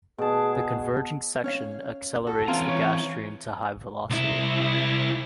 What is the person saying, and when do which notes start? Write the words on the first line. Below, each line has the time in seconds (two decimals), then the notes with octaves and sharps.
The converging section accelerates the gas stream to high velocity.
0.18 B2 G#4 A5
1.44 C#4 C#5 F5
2.27 F#4 A4
2.48 E3 C4 C#4 F4 F5 A#5
2.68 C#5
4.10 C2 E4